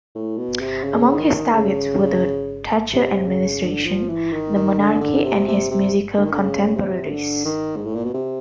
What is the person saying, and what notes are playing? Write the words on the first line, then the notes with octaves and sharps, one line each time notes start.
Among his targets were the Thatcher administration, the monarchy, and his musical contemporaries.
A2
B2
C3
C#3
D#3
C#3
C3
C#3
D3
F3
E3
D#3
D#3
D3
D3
C3
C3
C3
D3
D#3
D3
C#3
C3
D3
D#3
G#2
A2
A#2
B2
C3